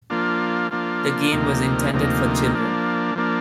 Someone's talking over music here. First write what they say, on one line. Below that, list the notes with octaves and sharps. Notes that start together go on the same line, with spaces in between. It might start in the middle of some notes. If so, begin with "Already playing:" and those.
The game was intended for children.
F3 A#3 D4 F4
F3 A#3 D4 F4
D2 C3 F3 A#3 D#4
D2 C3 F3 A#3 D#4
F3 A#3 D4
F3 A#3 D4